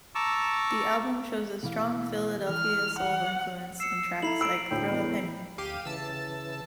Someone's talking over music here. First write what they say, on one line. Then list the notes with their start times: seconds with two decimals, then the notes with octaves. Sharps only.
The album shows a strong Philadelphia soul influence in tracks like "Throw a Penny".
0.15 A5 A#5 C#6 D6 E6
1.63 B2 E3 F5
2.49 E3 F6
2.99 F#5
3.80 E6 C7 C#7
4.22 E4 A4 A#5 C7 F#7
4.41 B5 E6 D7
4.71 D2 A2 G5
4.90 E2
5.58 D2 G4 F5 D#7
5.85 C#3 E3 A5 E6